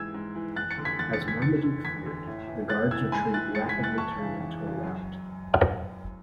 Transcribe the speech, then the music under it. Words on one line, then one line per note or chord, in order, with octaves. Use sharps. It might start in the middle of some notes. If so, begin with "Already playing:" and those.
As Marmaduke feared, the Guard's retreat rapidly turned into a rout.
Already playing: G#2 E3 E6 G#6
G#2
E3
E2 F#6 A6
A6 C#7
D3
G#6 B6
E2 F#6 A6
A6 C#7
D3
G#6 B6
E2 A6 C#7
D3
E2 G#6 B6
D3
A2
E3
A2 F#6 A6
E3 E6 G#6
G#2 G#5 B5
E3 F#6 A6
G#2 A6 C#7
G#6 B6
E3
F#6 A6
E2 A5 C#6
C#3 E3
E2
C#3 E3
F#2